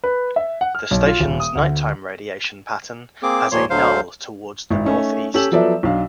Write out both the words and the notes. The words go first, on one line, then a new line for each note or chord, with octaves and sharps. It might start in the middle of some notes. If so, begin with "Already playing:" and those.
The station's nighttime radiation pattern has a null toward the northeast.
B4
E5
F#5
F6
B1
F4
D#1
D#6
D2
A#3 C4 G#4 D6
D#2 A#2 F3 A#3 C#5 C6
D2 D3 F#3 C5 F5
G#1 E4
A3 C#4 D#4
C#4 G4 A4 E6 F#7
F3 F#3 B3 A4 D5 E5
B1 D4 F5